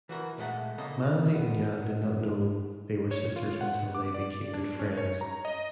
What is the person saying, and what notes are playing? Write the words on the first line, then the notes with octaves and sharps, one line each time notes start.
Mandy and Yan did not know they were sisters until they became good friends.
E3 F#4 A#4
A#2 G#3 A3 F#5
C#3 A#3 A4 C#5 D#5
B3
C#5
F4
F#5
D6
D5
D4
C#4
C#5
A#5
D#5